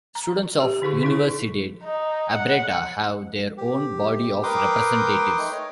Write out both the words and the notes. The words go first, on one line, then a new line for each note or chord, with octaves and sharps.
Students of Universidade Aberta have their own body of representatives.
A#5
G4
D3 D#4 G#4 C#6
D#4 E4 G#4
D#4
F#5
G4
A#4 B4 G5 C6 D6 D#6
A3 D#4
C#5 D#5